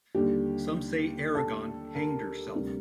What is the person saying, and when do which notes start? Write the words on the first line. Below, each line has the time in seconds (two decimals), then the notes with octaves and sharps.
Some say Erigone hanged herself.
0.15 D#2 D3 G3 G4
1.35 A4
1.95 A#4
2.55 D2 C3 G3